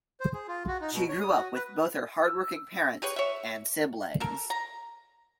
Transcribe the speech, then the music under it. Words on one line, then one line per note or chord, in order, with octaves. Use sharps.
She grew up with both her hardworking parents and siblings.
C5
G#4
F4
F#4
D#4
B2
C#5
D#6
F#4
B4
E6
G4 G#4 B4 C#5
C#5 E5
A4 A#4
A#5